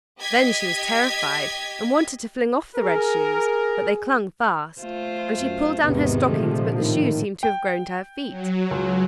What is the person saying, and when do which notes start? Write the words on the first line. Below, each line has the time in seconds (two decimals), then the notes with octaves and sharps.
Then she was terrified, and wanted to fling off the red shoes, but they clung fast; and she pulled down her stockings, but the shoes seemed to have grown to her feet.
0.19 G4 D#5 G#6 B6
2.75 G#4 A#4
4.81 A3 F4 C5
5.39 F#2
5.83 G#1 E2 C3 D#3 G#3 B3
6.26 A#2 D3 F3 A3
6.80 A2 D#3
7.43 G5
8.29 F#3
8.71 C#2